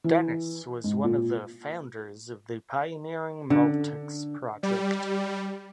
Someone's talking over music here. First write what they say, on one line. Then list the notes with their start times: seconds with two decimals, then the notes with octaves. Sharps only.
Dennis was one of the founders of the pioneering Multics project.
0.04 E3
0.84 G#2
1.04 A#2
3.50 D3
4.63 G3